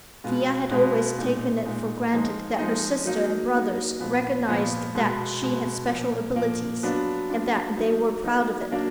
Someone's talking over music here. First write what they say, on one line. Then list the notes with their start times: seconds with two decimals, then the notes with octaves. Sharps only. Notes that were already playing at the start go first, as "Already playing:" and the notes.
Thea had always taken it for granted that her sister and brothers recognized that she had special abilities, and that they were proud of it.
0.24 B2 G#3 B3 F4
0.71 B2 G#3 B3 F4
1.18 A#2 G#3 D#4
1.66 A#2 G#3 D#4
2.13 F3 G#3 D#4
2.58 F3 G#3 D#4
3.06 F#3 A#3 D#4
3.54 F#3 A#3 D#4
4.00 A#2 F3 B3 F4
4.48 A#2 F3 B3 F4
4.95 B2 G#3 B3
5.42 B2 G#3 B3
5.88 A#2 F3 A#3
6.35 A#2 F3 A#3
6.83 F#3 B3 D4 F4
7.30 F#3 B3 D4 F4
7.77 F#3 A#3 D#4
8.24 F#3 A#3 D#4
8.71 F#3 A#3 D4